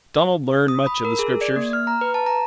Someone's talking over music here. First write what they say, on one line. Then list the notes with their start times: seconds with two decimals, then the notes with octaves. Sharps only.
Donald learned much of the Scriptures.
0.68 D#6
0.87 B5
1.05 A#4
1.19 G#4
1.41 D5
1.56 A#3
1.73 F6
1.87 A#5
2.01 B4
2.14 A5
2.26 A#5